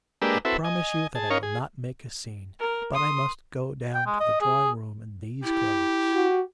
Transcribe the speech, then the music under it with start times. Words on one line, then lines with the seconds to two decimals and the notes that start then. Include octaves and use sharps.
I promise you that I will not make a scene, but I must go down to the drawing-room in these clothes.
0.22 G#3 A#3 D4 G4 B4 E6
0.45 C4 E4 F#4 A4 B4 E5
0.64 D#5 G#5
1.15 G#4 A5
1.30 C#4 D#4 A#4 C#5 F5
1.43 G#4
2.59 A#4
2.94 C6 D#6
3.94 G5
4.06 G#3
4.20 D#5
4.41 G#4
5.44 E4 G4
6.14 F#4